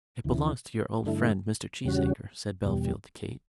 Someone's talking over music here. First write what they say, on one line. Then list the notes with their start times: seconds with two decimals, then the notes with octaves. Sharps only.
"It belongs to your old friend, Mr. Cheesacre," said Bellfield to Kate.
0.24 D2 C#3 E3
1.04 G2 D3 A3 E4
1.84 E2 C#3 G3 C#4 F#4
2.65 E2 B2 G3